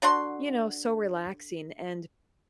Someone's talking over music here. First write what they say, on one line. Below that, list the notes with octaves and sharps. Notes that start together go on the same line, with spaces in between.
you know, so relaxing, and
D3 D4 F#4 C6